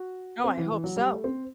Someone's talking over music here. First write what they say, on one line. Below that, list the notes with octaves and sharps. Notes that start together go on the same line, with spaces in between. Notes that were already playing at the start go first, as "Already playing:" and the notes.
Oh, I hope so.
Already playing: F#4
C4
E3
E3
F#3
G3
A3
C4